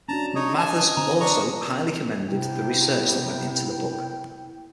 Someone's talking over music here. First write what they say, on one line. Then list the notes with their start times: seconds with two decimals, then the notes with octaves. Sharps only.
Mathers also highly commended the research that went into the book.
0.09 C#4 D4 F#4 A5 A#5
0.36 D#4 C#5 D#5
0.58 D#5 G#5 A5
0.97 D3 C4 A#5
1.21 D4 D#5 A#5 C#6
2.29 C3 B3 E4 G5